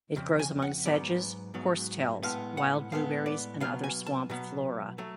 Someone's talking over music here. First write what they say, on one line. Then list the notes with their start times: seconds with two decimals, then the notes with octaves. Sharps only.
It grows among sedges, horsetails, wild blueberries, and other swamp flora.
0.16 F2 C#3
0.39 G#5
0.62 F#5
0.85 G#2 F#3 B3 D5
1.54 G#2 F#3 B3
2.23 A2 G#3 B3 F5
2.57 F#5
2.92 A2 G#3 B3 F5
3.26 D5
3.60 B2 F#3 B3 F5
3.84 G#5
4.06 A5
4.30 B2 F#3 B3
4.98 F#3 A3